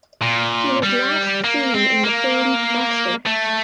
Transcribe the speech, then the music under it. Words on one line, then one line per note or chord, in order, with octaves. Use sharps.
He was last seen in the film "Master".
A#2
G3
A#3
C4
A#3
A3